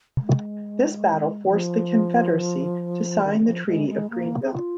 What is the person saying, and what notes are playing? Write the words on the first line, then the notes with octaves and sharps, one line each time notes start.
This battle forced the confederacy to sign the Treaty of Greenville.
G#3
D#3
F3
D#3
D#3
F3
G#3
G#3
A#3
G#4
F4